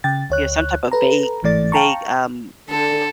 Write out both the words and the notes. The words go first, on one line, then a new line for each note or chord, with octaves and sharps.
Yeah, some type of vague vague, um
C#3 G5 A6
D2 C#5 F#6
A4 B4 A#5
G1 G#2 E3 A3 D5 A6
F5 G5 A5 A#5 C#6
D3 A4